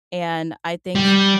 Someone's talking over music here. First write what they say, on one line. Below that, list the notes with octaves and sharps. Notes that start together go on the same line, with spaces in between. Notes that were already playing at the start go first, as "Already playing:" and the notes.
and I think f
G3